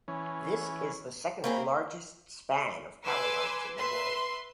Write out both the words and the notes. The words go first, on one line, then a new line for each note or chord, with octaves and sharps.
This is the second largest span of power lines in the world.
E3 C#4
A#3 C4 G#4 C#5 G5 B5
B4 G#5 C6 D6 E6
B4 E5 C6